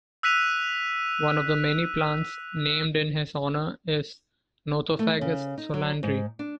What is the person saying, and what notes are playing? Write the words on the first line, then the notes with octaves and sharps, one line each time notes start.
One of the many plants named in his honour is Nothofagus solandri.
E6 F#6 B6 D#7 F7
A3
C#3
D#4
F#3
G#2
D4